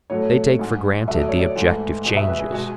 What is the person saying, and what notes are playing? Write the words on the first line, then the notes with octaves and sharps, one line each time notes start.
They take for granted the objective changes.
A2 F#3 A3 C#5
G#2 G#3
B2 F#3 A3 E5
D5
C#5
D5
G#2 E3 A3
B2 G#3
E5
B4
G#4
B2 G#3 F#4